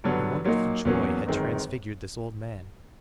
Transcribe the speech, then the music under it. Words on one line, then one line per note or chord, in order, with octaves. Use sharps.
A wonderful joy had transfigured this old man.
G2 D3 F#3 B3
A#2 F#3 A#3 D#4
E2 B2 F#3 A#3 C#4
G1 F#2 D#3 G#3 C4